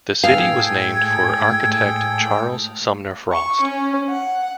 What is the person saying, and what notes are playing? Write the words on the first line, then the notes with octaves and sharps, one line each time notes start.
The city was named for architect Charles Sumner Frost.
A2 G#4 A4 F5 G5 G#6
C#6
C#4
F#5